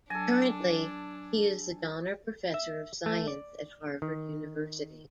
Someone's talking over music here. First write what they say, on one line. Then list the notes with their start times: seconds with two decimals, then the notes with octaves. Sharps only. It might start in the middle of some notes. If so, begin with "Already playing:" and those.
Currently, he is the Donner Professor of Science at Harvard University.
0.10 F#3 D4 A4 G#5
2.54 E5
3.06 A3
3.28 D5
4.02 D#3